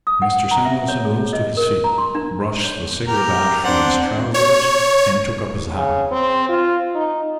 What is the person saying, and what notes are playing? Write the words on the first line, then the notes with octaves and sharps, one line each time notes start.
Mr. Samuelson rose to his feet, brushed the cigarette ash from his trousers and took up his hat.
D#6
F#5
A#5
E5
C#5
G#4
D#5
A#4
A#5
C6
D4
C#5
G4 A#4
C4 D4 C5 D5 F#5
C#5
C#3
C4
F4
D#4